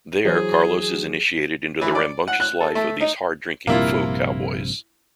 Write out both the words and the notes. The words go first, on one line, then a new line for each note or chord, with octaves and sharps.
There Carlos is initiated into the rambunctious life of these hard-drinking faux cowboys.
E3 F#3 G#4 C5
E3
D5
F#5
F#6
A4
A3
D#4
A#1 G2 C3 A#3 E4 F4